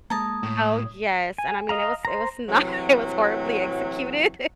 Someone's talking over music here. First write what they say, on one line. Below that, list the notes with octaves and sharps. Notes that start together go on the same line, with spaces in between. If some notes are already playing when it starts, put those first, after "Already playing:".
Oh, yes. And, I mean, it was it was not it was horribly executed,
G#3 A#3 A5 A#5 D#6 G#6
A2
G#5
D#5 F5 A#5
C5 A#5
A2 C3 E3 F#3